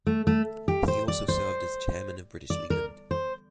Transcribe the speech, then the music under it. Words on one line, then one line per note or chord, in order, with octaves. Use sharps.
He also served as chairman of British Leyland.
A3
A3
G4
C5
D5
C5
D5
A#4
C5